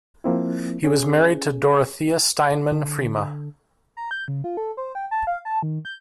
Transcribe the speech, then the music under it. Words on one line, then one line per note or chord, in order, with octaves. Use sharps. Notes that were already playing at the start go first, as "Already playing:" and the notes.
He was married to Dorothea Steinmann Freema.
F3 A#3 C4 E4
C#4 G#4
D3
A#5
G6
C#3
F4
A4
C5
G5
A5
F5
A5
D#3
G6